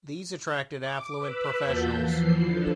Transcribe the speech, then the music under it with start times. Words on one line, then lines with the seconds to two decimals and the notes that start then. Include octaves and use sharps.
These attracted affluent professionals.
0.79 D6
1.19 B4 B5 E6
1.65 E2 A#3 F4 F#4 A5 G6
1.98 E3 F3 C7
2.38 D3 F3 A4